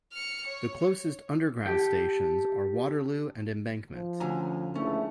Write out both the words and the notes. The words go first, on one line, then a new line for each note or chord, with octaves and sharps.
The closest Underground stations are Waterloo and Embankment.
F6 C#7
C#5
G4 A4 G5
F3
D2 C#4 G#5 A#5
C#2 A3 C#4 D4 E4